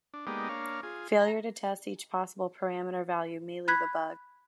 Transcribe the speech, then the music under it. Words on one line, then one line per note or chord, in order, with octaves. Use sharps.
Failure to test each possible parameter value may leave a bug.
D4
G#3 A#3 B3 D#4 G4 D5
A#3 D4 C#5 F5
F4 G#4
A#5
B5 F#6 G#6 B6